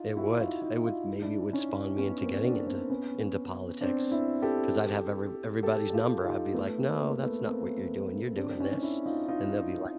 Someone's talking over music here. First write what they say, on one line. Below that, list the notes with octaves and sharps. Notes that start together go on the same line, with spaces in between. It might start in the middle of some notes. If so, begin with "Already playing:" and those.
It would, it would maybe it would spawn me into getting into into politics, 'cause I'd have every everybody's number, I'd be like, "No, that's not what you're doing, you're doing this." And they'll be like,
Already playing: D#4 F4
E4 F#4
D#4 F4
D#4 F4
D#4 F4
E4
D#4
D4 E4
C#4 D#4
B3 C#4
A#3 C4
C4 D4
C4 D4
B3 C#4
C4 D4
D4 E4
G4 A4
G4 A4
F4 G4
D#4 F4
A3 B3
B3
A#3
A#3
A3 B3
A#3 C4
C4 D4
C#4 D#4
D4 E4
D#4 F4
D#4 F4